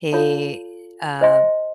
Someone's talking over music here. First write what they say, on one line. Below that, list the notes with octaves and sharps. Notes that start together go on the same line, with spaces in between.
He, uh,
F4 A4 C#5 F5 A5
C5 D#5 A5 C6